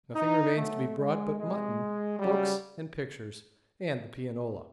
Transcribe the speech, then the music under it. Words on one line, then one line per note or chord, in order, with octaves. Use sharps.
Nothing remains to be brought but mutton, books and pictures, and the pianola.
D#4
B2 F#3 A3
G#3
C3 E3 G#3
C#3 F#3 G3